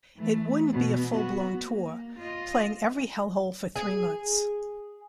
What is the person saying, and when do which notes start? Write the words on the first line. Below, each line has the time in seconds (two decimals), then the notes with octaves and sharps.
It wouldn't be a full-blown tour, playing every hell-hole for three months.
0.17 E3 A3
0.73 B2
1.15 B3 F#4
1.62 A#3
2.18 F4 D#5
3.76 G#4